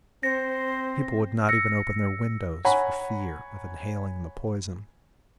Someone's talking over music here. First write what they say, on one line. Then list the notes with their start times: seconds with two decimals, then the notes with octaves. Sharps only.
People would not even open their windows for fear of inhaling the poison.
0.23 C4 C5 A#6
1.48 E6 A#6 C#7
2.65 C#5 F#5 G#5 A#5 B5